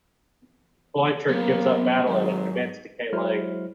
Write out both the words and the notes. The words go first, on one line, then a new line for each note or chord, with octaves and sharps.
Bleichert gives up Madeleine and commits to Kay Lake.
F#3 A#3 B3 C#4
G#1 G#2 F#3
F#3 G#3 E4 C5 F6